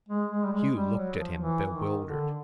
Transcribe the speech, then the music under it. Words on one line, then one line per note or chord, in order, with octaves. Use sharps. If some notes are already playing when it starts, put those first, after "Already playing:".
Hugh looked at him bewildered.
G#3
G#3
G3
G#3
G3
F#3
F3
E3
D#3
D3